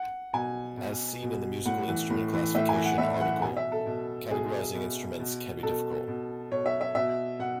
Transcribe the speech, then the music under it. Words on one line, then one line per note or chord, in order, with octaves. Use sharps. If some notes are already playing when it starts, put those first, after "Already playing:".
As seen in the musical instrument classification article, categorizing instruments can be difficult.
Already playing: F#5
B2 G#5
B2
B2
A2 F#5
E3
A2
E3
A2 E5
G#5
E3
F#5
A2 E5
E3 F#5
B2 G#5
E5
A4
B2
B2 G#4
B2
B2
B2 A4
B2
B2 C#5
E5
E5
B2 E5
B2 F#5